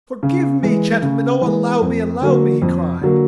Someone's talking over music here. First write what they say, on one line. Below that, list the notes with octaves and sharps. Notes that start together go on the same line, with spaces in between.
"Forgive me, gentlemen, oh, allow me, allow me!" he cried.
C#3
E3 G#3
C#3
E3
G#3
F2
D3 F#3 A#3
F2
D3 F#3 A#3